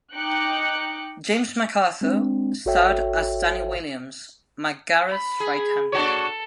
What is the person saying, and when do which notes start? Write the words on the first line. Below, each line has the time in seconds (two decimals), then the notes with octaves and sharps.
James MacArthur starred as Danny Williams, McGarrett's right-hand man.
0.14 D#4 G5 D6 F#6 C#7
2.01 G#3 C4 D4
2.66 G#1 F#4 A4 C#5 E5 G5
5.08 B5
5.40 G#4
5.92 D4 F#4 A4 C#5